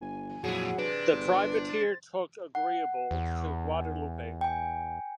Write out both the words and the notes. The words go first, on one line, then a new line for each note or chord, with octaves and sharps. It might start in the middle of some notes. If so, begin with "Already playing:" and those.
The privateer took "Agreeable" to Guadeloupe.
G1 G#5
F2 A#2 F#3 E4 G#4 F#5
C3 D4 B4
G1
A6
F#5
E2
G5 G#5